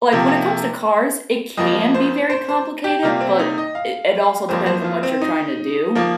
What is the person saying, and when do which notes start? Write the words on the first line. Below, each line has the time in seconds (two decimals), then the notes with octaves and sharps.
like, when it comes to cars, it can be very complicated, but it it also depends on what you're trying to do,
0.12 C3 F3 A#3
1.57 F2 F3 A#3 D#5
1.94 C5
2.30 C5
2.49 C5
2.84 G4
3.03 C3 G3 A#3 F4
3.21 C4
3.39 D#4
3.58 D#5
3.75 F5
4.49 F2 F3 A#3 C5
4.66 C5
4.84 F4
5.03 C4
5.22 D#4
5.95 F3 A#3